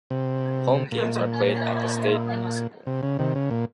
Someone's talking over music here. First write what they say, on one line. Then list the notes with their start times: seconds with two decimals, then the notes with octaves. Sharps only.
Home games are played at the Stade Municipal.
0.10 C3
0.92 A#2
2.87 C3
3.03 C#3
3.19 C3 D#3
3.35 C#3
3.51 A#2